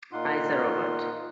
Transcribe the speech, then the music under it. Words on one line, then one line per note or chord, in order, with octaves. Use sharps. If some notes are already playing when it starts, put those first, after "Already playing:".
Eyes are ovate.
A#2 D#4 F4 F#5 C6